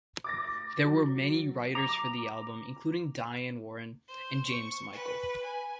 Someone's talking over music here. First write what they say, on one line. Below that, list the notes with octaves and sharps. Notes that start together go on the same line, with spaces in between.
There were many writers for the album including Diane Warren and James Michael.
D6 A6 A#6
F#3
A#5 D6
C5
C#6
B4
G#5